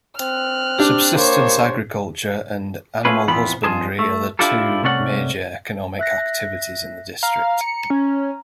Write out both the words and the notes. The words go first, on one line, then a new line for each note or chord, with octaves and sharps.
Subsistence agriculture and animal husbandry are the two major economic activities in the district.
C4 F6 F#6
D4 G4
A#3 C5 C#5
A3 C#4 F4 G#4 B4
E2 E3 F3 B3 C4 B5
F2 F4 G#4 A5
A3
D4 E4 F4 G4 A4
C2 C3 A3 C#4 D5 F#5
E5 F#6 A#6
F5 A#5
C#7
C#4